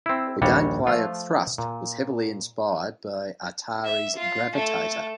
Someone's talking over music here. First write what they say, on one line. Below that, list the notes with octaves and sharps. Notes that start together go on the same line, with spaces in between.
The gameplay of "Thrust" was heavily inspired by Atari's "Gravitar".
C4 E4
A#1 D#2 G3 F#4 C#5
F3 A3 F4
A#2
E5
F4 C6
A3 A4